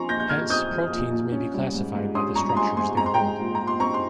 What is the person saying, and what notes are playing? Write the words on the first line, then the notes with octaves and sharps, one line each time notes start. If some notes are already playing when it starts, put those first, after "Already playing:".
Hence, proteins may be classified by the structures they hold.
Already playing: F3 C4 G#5 A#5 C6 C#6
A#2 G6 A#6
G6
A#2 F6 G#6
C4 D#6 G6
F3
A#2
A#2
C#4
G3
G#2
G#2
C#4 C6 D#6
G3 A#5 C#6
A#5
G#2 G#5 C6
G#2 G#5 C6
C4 A#5
C6
G#3 G5 A#5
A#2
A#2 A#5
C6
C4 A#5 C#6
C6